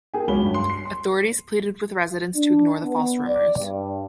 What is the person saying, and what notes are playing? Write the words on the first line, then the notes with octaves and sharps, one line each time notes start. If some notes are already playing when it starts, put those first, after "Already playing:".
Authorities pleaded with residents to ignore the false rumors.
G#4 A#4 G5 G#5
C#2 F#4 C#5 B5 G7
G2
C6
C7
C6
D4
B3
D5
G2